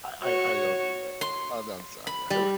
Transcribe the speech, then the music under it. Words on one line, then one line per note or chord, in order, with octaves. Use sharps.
I I I don't do that. Oh, no I'm sorry. I
F#4 C#5
C6
B5
G3